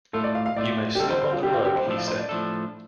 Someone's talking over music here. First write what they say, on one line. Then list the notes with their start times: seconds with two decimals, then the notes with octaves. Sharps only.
"You may sleep on the rug," he said.
0.13 A2 A3 F4 A4
0.24 D5
0.35 F5
0.46 F5
0.56 A2 A3 F4 D5
0.95 G4
0.99 D3 G3 C4 A4
1.10 C5
1.22 C5
1.32 F4
1.43 D3 G3 C4 G4
1.54 F4
1.65 G4
1.76 C5
1.86 A2 F3 A3 D4 A4 C5
1.97 F5
2.08 C5
2.19 D5
2.29 A2 F3 A3 D4 A4